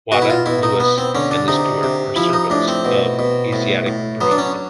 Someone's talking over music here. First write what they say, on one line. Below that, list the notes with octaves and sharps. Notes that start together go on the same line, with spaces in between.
Wada, Louis, and the steward are servants of Asiatic breed.
B2 F#4
E4
F4
B2 E4
D#4
B3
C4
D3 C#4
D4
C3 D#4
C3
F3 E4
D#4
A2 D4
C4
B2
B2
A2
A2
F#3 B3
D4
C#4